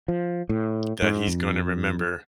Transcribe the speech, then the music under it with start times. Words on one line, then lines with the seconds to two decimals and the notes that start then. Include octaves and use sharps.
that he's gonna remember
0.08 F3
0.49 A2
1.02 G#2
1.27 F2